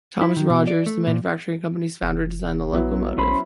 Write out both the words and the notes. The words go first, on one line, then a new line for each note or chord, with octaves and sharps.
Thomas Rogers, the manufacturing company's founder, designed the locomotive.
E4
D#3
B2
D5
A3
A#2
F1
A#1 F#3 B3 E4
A#1 C#4 C5 B5